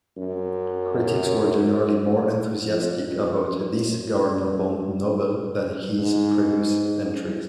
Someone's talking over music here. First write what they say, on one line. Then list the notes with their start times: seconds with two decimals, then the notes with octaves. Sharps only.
Critics were generally more enthusiastic about this Gardner Bond novel than his previous entries.
0.17 F#2
2.66 F2
3.07 F2
3.48 F#2
5.98 G#2